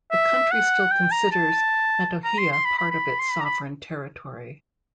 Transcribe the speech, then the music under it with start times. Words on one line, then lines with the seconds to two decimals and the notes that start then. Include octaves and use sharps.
The country still considers Metohija part of its sovereign territory.
0.11 E5
0.52 F#5
0.91 G5
1.12 A#5
1.32 A5
2.24 A#5
2.39 C6
2.52 C6
2.65 B5
2.78 B5
2.91 B5
3.19 C6
3.31 B5
3.41 A#5
3.45 B5